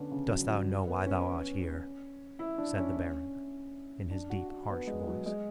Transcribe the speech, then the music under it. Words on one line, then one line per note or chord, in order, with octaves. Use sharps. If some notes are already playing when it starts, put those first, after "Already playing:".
"Dost thou know why thou art here?" said the Baron, in his deep, harsh voice.
Already playing: D3 B3 C#4 D4
C#3
F#3
F#3
B3
C#4
E4
D4
C#4
C#4
D4
F#4
F#4
B3
G#3
F#3
G#3